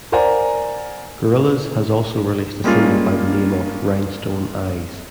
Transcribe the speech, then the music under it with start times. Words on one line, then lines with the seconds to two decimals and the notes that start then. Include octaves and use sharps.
Gorillaz has also released a single by the name of "Rhinestone Eyes".
0.12 A#4 C5 D5 F#5 G#5 A#5
2.64 G3 G#3 A#3 C#4 F4